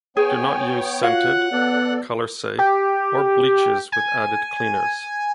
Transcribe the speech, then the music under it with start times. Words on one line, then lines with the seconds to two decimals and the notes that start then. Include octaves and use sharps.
Do not use scented, color safe, or bleaches with added cleaners.
0.17 B3 G#4 C#5 G5 G#5
1.03 F4 F#4 C#5 F5 F#5 F#6
1.52 B3 A4 D5
2.58 G4
3.92 G#5